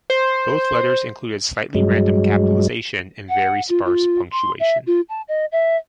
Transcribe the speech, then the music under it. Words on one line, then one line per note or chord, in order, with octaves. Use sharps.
Both letters included slightly random capitalisation and very sparse punctuation.
C5
G2 F#3 G#3
F#5
F4
F4
C6
E5
F4
A5
D#5
E5